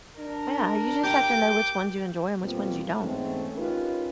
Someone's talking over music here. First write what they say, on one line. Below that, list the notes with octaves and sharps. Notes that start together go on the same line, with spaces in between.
Yeah, you just have to know which ones you enjoy and which ones you don't.
D4 A#4
G4 A#5 D6 G6
F2 B2 F3 G3 A#3 C4
E2 G#2 A3 C4 C#4
C#4 D#4 F4 G4 A#4 B4